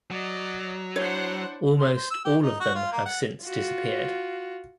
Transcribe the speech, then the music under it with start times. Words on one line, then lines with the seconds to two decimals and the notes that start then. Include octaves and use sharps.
Almost all of them have since disappeared.
0.11 F#3 D5 D#5
0.96 D4 E4 C5 C#5 F#5
1.80 C6
1.96 C5
2.11 E6
2.25 G4
2.42 D#4
2.60 F#4
2.75 F4
2.93 A#3
3.06 F#5
3.45 F4 F#4